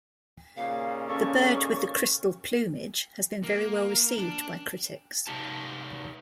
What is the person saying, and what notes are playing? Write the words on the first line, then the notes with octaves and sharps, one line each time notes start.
"The Bird with the Crystal Plumage" has been very well received by critics.
D#2 A#2 C#3 F5
C#4 A4 C#6
A#3
D4
C3 D#4 G4 A5